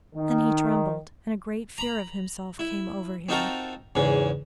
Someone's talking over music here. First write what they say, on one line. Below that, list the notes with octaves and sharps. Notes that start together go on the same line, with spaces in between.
Then he trembled, and a great fear of himself came over him.
D#3
A#5 B5
E4
C4 D#4 F4 F#4 A4 A#4
E2 G#2 C#3